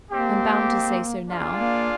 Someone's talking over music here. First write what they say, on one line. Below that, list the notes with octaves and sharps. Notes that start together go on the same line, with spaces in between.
I am bound to say so now.
G#3 A#3 C4 G4
D4 F4 G#4 D5 F5
A#3